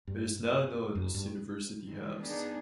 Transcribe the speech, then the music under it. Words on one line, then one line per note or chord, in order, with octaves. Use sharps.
It is now known as University House.
G2
F#2
G2
D#3 E3 G3 G#3 C4
B3 D4 D#4 G#4